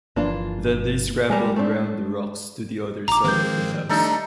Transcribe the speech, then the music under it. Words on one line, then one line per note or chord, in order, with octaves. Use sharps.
Then they scrambled round the rocks to the other side of the house.
G1 E3 F3 A#3 D4 F4
G3 G#3 A#4 G#5
A3 C4 D4
A#1 A#5 D6
D#3 F3 G#3 A#3 C4 G6
G3 A3 D4 D#4 A4 E5